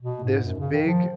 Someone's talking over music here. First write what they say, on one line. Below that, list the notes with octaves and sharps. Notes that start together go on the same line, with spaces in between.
this big
B2
G#2
F#2
C#3
D#3
F3